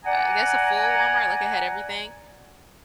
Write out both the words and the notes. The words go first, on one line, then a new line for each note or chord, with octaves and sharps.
Uh, I guess a full Walmart, like, it had everything.
D5 F#5 G#5 A#5